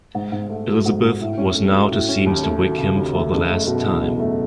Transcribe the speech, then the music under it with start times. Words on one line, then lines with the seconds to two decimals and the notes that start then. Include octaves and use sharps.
Elizabeth was now to see Mr. Wickham for the last time.
0.15 G#2
0.32 G#2
0.50 A3
0.67 F#3
0.85 G#2
1.03 G#2
1.21 A2
1.38 C#4
1.55 A3
1.73 F#3
1.91 A2
2.09 C#4
2.26 D#2
2.43 A3
2.61 F#3
2.78 C#3
2.96 D#2
3.14 A3
3.31 F#1
3.49 A3
3.67 B2
3.85 E2
4.02 F#1
4.20 A3